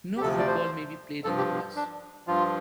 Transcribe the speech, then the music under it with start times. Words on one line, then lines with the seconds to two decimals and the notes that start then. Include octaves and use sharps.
No football may be played on the grass.
0.17 G4
0.21 D2 C3 F3 A4
0.39 D5
0.47 C5
1.24 G2 F3 A4
1.37 G4
1.76 D4
2.27 G2 F3 F4